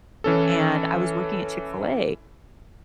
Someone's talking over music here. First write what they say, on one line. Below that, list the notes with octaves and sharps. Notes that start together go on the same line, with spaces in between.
and I was working at Chick-fil-A,
E3 C#4 A4